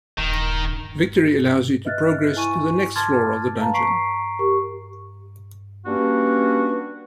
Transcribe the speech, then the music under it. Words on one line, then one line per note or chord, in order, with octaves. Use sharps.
Victory allows you to progress to the next floor of the dungeon.
D#1 D#3
B4 D#5 E5 F6 F#6 A6
E4 G#5 C#6 D#7
A5 C6 D6 F6 G#6 A6
B4 F5 A5 A#5
A#5 C#6 B6 C7 D7
G4 A#4 C#6
G3 A#3 C#4 D4 F#4 B4